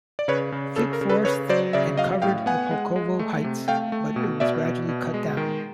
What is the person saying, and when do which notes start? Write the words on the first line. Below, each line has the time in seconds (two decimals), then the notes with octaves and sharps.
Thick forest and covered the Pulkovo heights, but it was gradually cut down.
0.19 D5
0.28 C#3 B4 C#5
0.52 C#3
0.76 C#3 A4
0.93 A#4
1.01 C#3
1.09 A4 B4
1.25 C#3 B4 C#5
1.49 F#3 C5 D5
1.73 C#3 D5 E5
1.97 F#3 D#5 F5
2.22 A2 F5 G5
2.46 B3 F#5 G#5
2.71 G#3
2.96 G#3
3.19 A3
3.44 C3
3.68 A3 F5 G5
3.92 A3
4.16 B2
4.40 B2 D5 E5
4.65 B2
4.89 B2
5.14 G#3
5.37 D#3